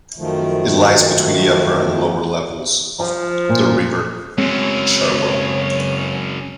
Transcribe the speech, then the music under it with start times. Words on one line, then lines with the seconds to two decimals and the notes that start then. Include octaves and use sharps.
It lies between the upper and lower levels of the River Cherwell.
0.18 F#2 D#3 F3 A3
3.00 F3
3.49 A#2
4.38 F#2 C#3 G#3 C4 C#4 C#5